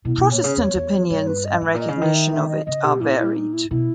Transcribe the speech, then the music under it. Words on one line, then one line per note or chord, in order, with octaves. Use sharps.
Protestant opinions and recognition of it are varied.
B2 E4
B2
A#2 C#5
C#3
E2 C#5
E2
G2 C#5
B4
D#5
G#2
A#2
D#5
C#3
D#3 D#5
E5
E5
D#5
C#3 D#5
B2 G4
A#2 E4
E4
D#4
E4
B2 E4